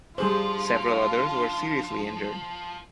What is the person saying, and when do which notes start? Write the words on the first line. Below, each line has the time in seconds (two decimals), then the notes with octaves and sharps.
Several others were seriously injured.
0.18 F3 G3 D4 F4 G#4 C5